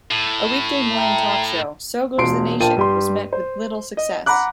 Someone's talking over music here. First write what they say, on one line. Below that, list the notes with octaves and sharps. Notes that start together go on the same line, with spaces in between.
A weekday morning talk show, "So Goes The Nation", was met with little success.
A2
E5 G5 A#5
E1 F4 C6 C7 D7
A#1 A#3 F4 G5 A5 D#7
G2 G4 C6
C5
D#5
F#5 A#5 B5 D6 F#6